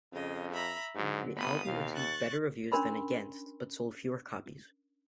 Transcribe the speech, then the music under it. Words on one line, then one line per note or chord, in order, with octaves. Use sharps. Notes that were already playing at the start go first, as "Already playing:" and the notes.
The album received better reviews than "Against", but sold fewer copies.
F2 C#3 D#5
E5 A#5 B5
G#2 D3 F#3
G1 B3 B5 D#6
D#2 B2 F5
C#6 F#6 A6
C#4 D4 A#4 B5 C6